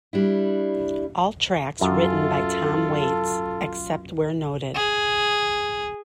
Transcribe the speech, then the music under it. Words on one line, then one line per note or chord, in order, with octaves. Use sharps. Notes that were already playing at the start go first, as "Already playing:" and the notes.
All tracks written by Tom Waits, except where noted.
G3 D4 E4
F#2 F4 A4
G#4